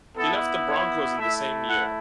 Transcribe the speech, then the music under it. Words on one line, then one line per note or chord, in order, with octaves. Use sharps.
He left the Broncos in the same year.
B3 E4 A4
C#5
A3 E4 E5
F#5